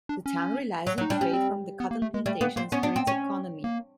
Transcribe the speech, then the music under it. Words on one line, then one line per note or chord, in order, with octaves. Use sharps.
The town relies on trade from the cotton plantations for its economy.
D4
C#4
F#3
F#3
D#4
G3 D4
G3 C#4
C4
B3
A#3
A3
G#3
G3 A3
A#3 B3
A#3 C4
B3 C#4
D4
C4
C#4
A#3